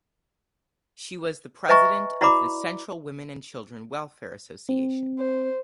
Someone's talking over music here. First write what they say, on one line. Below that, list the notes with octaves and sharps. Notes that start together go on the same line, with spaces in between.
She was the president of the Central Women and Children Welfare Association.
B4 D#5 E5 G#5 A#5 C#6
E4 F#4 D5 A#5 B5 D6
C4
C5